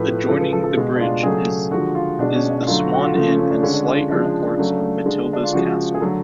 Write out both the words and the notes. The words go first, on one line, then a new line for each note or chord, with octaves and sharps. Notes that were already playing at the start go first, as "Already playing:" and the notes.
Adjoining the bridge is the Swan Inn and slight earthworks of Matilda's Castle.
Already playing: A2 F3 A3 B4
C#3 F3 G#3 A4
B4
A4
A4
B2 G#3
D4
F4
C#3 F#3 A3 G#4
D3 F3 G#3 F#4
F4
B2 G#3 D4
C#4
D4
D3 F#3 A3 F4
F#4
F#4
F4
C#3 F3 A3 F4
C#4
C#4
D4
D3 G#3 C#4
D4
F4
C#4
C#3 F3 G#3 D4
D4
D4
C#3 F#3 A3
D3 G#3
D4
F4
C#3 F3 G#3 F#4
G#4
D3 F#3 A3 A4